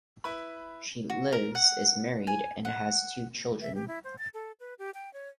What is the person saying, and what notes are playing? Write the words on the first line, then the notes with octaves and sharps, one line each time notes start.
She lives is married and has two children.
E4 B4 B5
F#4
A#4
F#5
G#5
F#5
E5
G4
E4
C5
A6
A4
B4
G4
G5
C#5